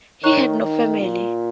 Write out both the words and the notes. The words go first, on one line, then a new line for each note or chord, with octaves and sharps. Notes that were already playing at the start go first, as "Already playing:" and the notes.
He had no family.
D#3 C#5 A#5 C#6 F#6
D#3
A#2